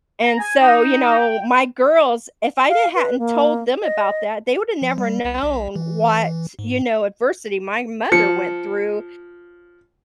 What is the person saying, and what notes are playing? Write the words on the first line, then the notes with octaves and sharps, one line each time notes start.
and so, you know, my girls, if I didn't hadn't told them about that, they woulda never known what, you know, adversity my mother went through
A#5
G#5
D#4
G5
F5
B4
A#3
D#5
F3
G3
C2
B1
E3
G#2
F3 C#7